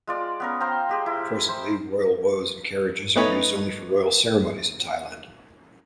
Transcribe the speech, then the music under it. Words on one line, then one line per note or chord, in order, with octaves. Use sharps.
Presently, Royal Wos and carriages are only used for royal ceremonies in Thailand.
G#3 F4 D5
B3 C#4 A#4
C5 F5 G5 A#5
G#3 G4 G#4
E4
C5
A3 B3 D#4 B4 C#5